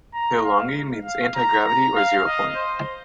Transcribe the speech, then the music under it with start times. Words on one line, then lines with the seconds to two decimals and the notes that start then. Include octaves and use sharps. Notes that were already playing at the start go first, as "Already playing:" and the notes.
Tauelangi means antigravity or Zero Point.
0.14 A#5
0.43 F5
1.04 F5
1.35 A#5
1.65 A#5
1.95 F5
2.25 D#5
2.55 C5